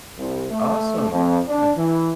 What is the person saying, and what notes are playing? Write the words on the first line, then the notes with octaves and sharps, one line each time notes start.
Awesome. Eh.
C2
A3
F2
D4
E3